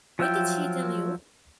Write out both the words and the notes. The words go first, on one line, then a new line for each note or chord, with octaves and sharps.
When did she tell you?
F3 F#3 F4 E5 G5